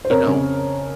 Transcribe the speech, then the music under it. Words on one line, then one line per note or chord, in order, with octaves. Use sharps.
you know,
C5
F2 A#4 C#5
C#3